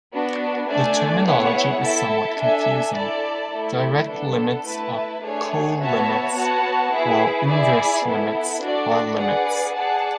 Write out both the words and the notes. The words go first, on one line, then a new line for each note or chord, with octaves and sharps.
The terminology is somewhat confusing: direct limits are colimits while inverse limits are limits.
B3 D4 F#4
A3 D4 A4 D5 G#5
B3 E4 G#4 C#5 F#5
E4 A4 E5 A5
D4 A4 E5 G#5
E4 A4 D5 A5
A3 E4 A4
B3 D4 A4
A3 E4 B4 E5 A5
A3 D4 G#4 C#5
B3 F#4 C#5 E5 A5
B3 F#4 C#5 F#5 A5
E4 G#4 B4
E4 G#4 D5
B3 E4 A4
D4 F#4 A4 D5
G#4 B4 D5 F#5
G#4 D5 F#5 A5